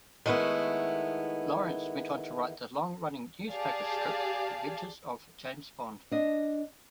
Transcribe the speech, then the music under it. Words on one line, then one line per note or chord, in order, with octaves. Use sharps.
Lawrence went on to write the long running newspaper strip adventures of James Bond.
D#3 G#3 A3 B3 E4
G4 G#4 D5 F5 A5
D4 D#5